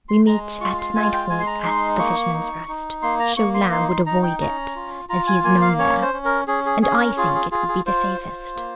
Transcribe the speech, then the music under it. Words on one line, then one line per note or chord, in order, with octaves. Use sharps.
We meet at nightfall at 'The Fisherman's Rest.' Chauvelin would avoid it, as he is known there, and I think it would be the safest.
C6
G#3 A#5
F4 C#6
C6
G#3 G#5
G5
G#3 G#5
C6
A#5
D#4 C6
A#3 C#6
D#4
D#4
A#3 C6
A#5
A#3 C#6
C6
D#4 C6
C6
D#4 A#5
G5
C#4 A#5
F4
F4 A#5
G#5
A#3 G#5
F5
C#4 C#5
C5
C#4
A#4
C#4 G#4
G#4
C#4 G#4
A#4
F4 G#4
G#4
F4 G#4
G#4
F4 C5
F4
A#3